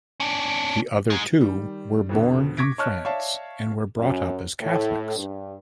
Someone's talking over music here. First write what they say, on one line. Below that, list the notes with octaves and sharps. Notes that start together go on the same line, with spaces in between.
The other two were born in France and were brought up as Catholics.
C#4 D4
G#2 G#3
D#3 G3
F2 B2 D3
C#6 D6 G#6 A#6 B6 D7
C#5 D#5 A5 C#6 F6 F#6
C#5 D5 E5 F5 A5
F#2
A2
G2